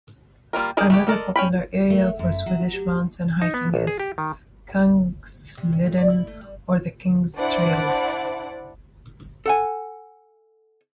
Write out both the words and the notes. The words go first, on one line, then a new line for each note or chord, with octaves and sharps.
Another popular area for Swedish mountain hiking is Kungsleden, or "The King's Trail".
G3 A#3 F4 A#4
D4 D#4 G#4 A#4
A3 B3 G4
G#3 A4 A#4 D5
C#4 G5 B5
A3 A#4
F#2 E5
F#3
G4
D#4
B3
A#1
G#4
G4
D#3
C3
C#4
A3
D5
E4
A3
G3
D4 E4 C5 D5 F#5
A4 F#5 G#5